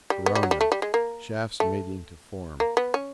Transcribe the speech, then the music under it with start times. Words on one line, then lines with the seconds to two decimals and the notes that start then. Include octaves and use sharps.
Corona: shafts meeting to form.
0.10 G3
0.26 B3
0.35 G3
0.43 F#3
0.51 G3
0.61 A3
0.72 G3
0.82 G#3
0.94 A#3
1.60 A3
2.60 A#3
2.77 B3
2.94 C#4